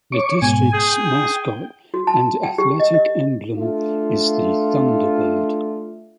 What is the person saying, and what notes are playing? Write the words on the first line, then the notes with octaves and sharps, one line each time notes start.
The district's mascot and athletic emblem is the Thunderbird.
C#5 C#6 D6
G#2 B2 G#5
G#4 G5
F#4
A5
G5
G4
D#5
D#5
A3 D4 F4